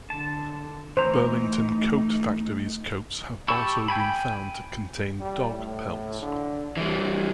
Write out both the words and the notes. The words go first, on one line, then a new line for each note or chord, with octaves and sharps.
Burlington Coat Factory's coats have also been found to contain dog pelts.
D3 A5
E3 A3 D#4 C5 A#5
G4 A5 B5 C#6 E6
G5 G#5 B5
G3
A2
D3
E2 E3 G3